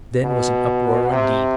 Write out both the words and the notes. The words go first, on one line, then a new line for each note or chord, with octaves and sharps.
Then was an uproar indeed.
B2
C3